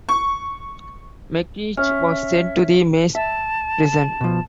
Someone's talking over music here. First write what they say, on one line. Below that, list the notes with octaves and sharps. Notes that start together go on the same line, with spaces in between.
McCreesh was sent to the Maze Prison.
C#6
C#4 E5 F6
E5 A5
B2 F3